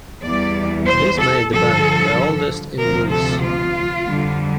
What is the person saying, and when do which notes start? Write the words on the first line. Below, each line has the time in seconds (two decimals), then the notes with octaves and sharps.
This made the bank the oldest in Greece.
0.24 E2 E3 G3 D5
0.87 C5
1.19 A4
1.51 G2 D3 F3 A4
2.79 D2 C3 F3 A#4
3.11 A4
3.43 F4
4.07 F2 D3 G3